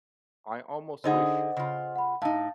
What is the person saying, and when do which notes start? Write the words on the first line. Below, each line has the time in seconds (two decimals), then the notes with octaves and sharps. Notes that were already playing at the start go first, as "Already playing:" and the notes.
I almost wish,
1.04 D3 D#4 G#4 C5 D#5 F#5
1.57 C#3 F4
1.96 F#5 B5
2.22 A2 D#4 F5 A5